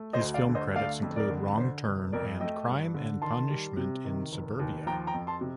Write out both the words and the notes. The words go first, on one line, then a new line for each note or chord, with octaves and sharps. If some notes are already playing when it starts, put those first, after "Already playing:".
His film credits include "Wrong Turn" and "Crime and Punishment in Suburbia".
Already playing: A3
C5 D#5
D2
D5 F5
D3
C5 D#5
A3 D5 F5
F2
A#4 D5
D3
D3 C5
F1
F2 A#4 D5
A3 D#5 G5
G2
D3
D#3 A5 C6
G3
C3
D#3
F1
D#2
F3 G5 A#5
G5 A#5
F2
A5 C6
C3